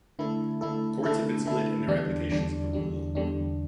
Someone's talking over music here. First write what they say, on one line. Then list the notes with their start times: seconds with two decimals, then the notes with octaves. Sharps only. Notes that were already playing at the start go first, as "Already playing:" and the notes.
Courts have been split in their applications of the rule.
0.19 D3 A3 E4 A4
0.61 D3 A3 E4 A4
1.03 D3 A3 E4 A4
1.45 D3 A3 E4 A4
1.88 E2 D3 G3 D4
2.31 E2 D3 G3 D4
2.73 E2 D3 G3 D4
3.15 E2 D3 G3 D4